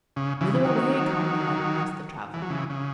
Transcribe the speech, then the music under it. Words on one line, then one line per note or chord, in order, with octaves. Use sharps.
"Whither away, comrade," asked the traveller.
C#3
C#3 E3
E3
D#3 F#3
E3
F#3
C#3 E3
C#3